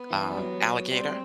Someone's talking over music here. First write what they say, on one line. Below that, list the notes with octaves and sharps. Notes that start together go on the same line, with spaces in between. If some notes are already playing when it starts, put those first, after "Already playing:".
um, alligator,
Already playing: B3
E3
G3
F#3
G3 C4